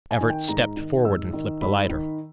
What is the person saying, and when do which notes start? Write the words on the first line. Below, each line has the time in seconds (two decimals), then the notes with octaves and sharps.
Everts stepped forward and flipped a lighter.
0.11 G#5
0.21 D#3
0.30 G5
0.48 G#2 A#5
0.77 D#3
1.05 G#2 E6
1.33 D#3
1.61 G#2 B5
1.89 D#3